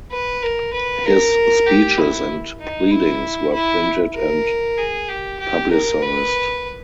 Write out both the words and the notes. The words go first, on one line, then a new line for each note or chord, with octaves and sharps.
His speeches and pleadings were printed and publicized.
B4
A#4
B4
A#4
G4
E4
D#4
E4
E4
A#4
G#4
G4
G4
A#4
B4